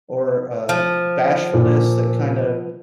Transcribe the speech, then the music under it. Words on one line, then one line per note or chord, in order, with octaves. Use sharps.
or, um, bashfulness that kinda
F3
A#2